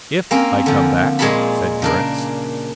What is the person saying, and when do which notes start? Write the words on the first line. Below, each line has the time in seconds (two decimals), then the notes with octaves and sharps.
"If I come back," said Durrance.
0.31 A#3 C4 C#4
0.66 D3 F3
1.19 A#2 G#3 G#4 C#5 A5 B5
1.82 C#3 D4 A#4